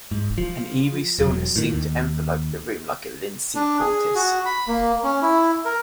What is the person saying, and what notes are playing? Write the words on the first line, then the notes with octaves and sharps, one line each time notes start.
An eerie stillness seemed to envelop the room like a linseed poultice.
G#2
F3
E1 F#3
A2 D#3
D#2
D4
G#4
F#4
B5
A#3
C#4
E4
A#4